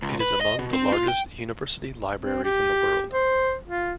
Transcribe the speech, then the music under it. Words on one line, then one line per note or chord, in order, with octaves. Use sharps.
It is among the largest university libraries in the world.
C#2
B4
D#5
B2
C4
F4
G5
C4
G4
C5
F4